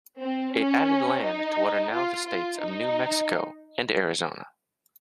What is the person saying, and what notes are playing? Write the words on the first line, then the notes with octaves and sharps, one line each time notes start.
It added land to what are now the states of New Mexico and Arizona.
C4
C#4
D#4
F4
F4
D#4